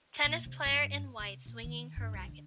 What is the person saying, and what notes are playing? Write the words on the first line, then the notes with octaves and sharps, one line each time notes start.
Tennis player in white swinging her racket.
A#2
C3
G2
C3
A#2
D#3
G2
C2
D3